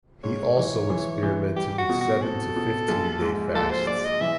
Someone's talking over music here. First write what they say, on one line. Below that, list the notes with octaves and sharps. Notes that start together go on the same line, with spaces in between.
He also experimented with seven to fifteen day fasts.
G#2 C#5
E3
E3
E3
G3 G4
F#4
B2
F#4
C4 A4
B2
A#1
G#2
A#1 A4
C5
A#1 D5
D#5
E3 E5